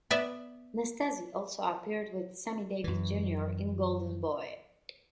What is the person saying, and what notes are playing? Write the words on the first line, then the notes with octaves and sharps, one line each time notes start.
Nastasi also appeared with Sammy Davis Junior in "Golden Boy".
B3 B4 D5 E5
F#2 E3